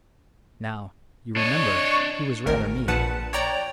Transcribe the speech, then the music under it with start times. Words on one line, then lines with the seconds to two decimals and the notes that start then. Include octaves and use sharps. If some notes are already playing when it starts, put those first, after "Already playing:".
Now, you remember, he was rather mean.
1.36 D4 C#5 D#5
2.46 G#1 D2 A#4
2.88 A#1 A#2 B4 F#5 A5
3.33 C#5 D5 G5 A#5